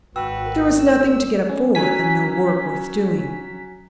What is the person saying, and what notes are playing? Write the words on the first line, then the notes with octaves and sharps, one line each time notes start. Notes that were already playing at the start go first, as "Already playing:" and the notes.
There was nothing to get up for, and no work worth doing.
G#1 F#4 B4 G5 E6
A#4
E6
C#4
F#3 C#4 G#5 B6